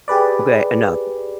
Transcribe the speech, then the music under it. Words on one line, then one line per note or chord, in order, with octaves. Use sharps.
okay, eh, none."
G4 G#4 B4 D5